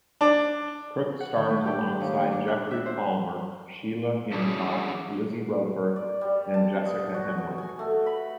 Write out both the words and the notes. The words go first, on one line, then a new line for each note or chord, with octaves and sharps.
Crook stars alongside Geoffrey Palmer, Sheila Hancock, Lizzie Roper and Jessica Henwick.
D4
F#5
D#3
A3
G4
D4
D#2
A#3
D4
F#6
E5
C5
E3 C#4 D4 E4 F#4 G#4
D5
G3
A5
D#5
B2
F#4
C#6
G#5
A3
B5